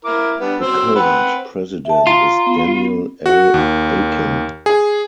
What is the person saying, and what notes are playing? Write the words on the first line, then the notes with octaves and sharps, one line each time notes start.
The current president is Daniel L. Akin.
E4 A#4 D6
G3 B3 D4
F#3 C5 E6
C4 B4 F#5
E5 A5
F4 A#5
B3
F#4
D#2
G#4